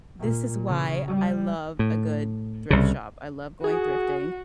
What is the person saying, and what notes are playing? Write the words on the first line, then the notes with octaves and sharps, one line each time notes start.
this is why I love a good thrift shop, I love going thrifting,
A#2
C#3
G3
A2
C2 C#3
F#4 G#4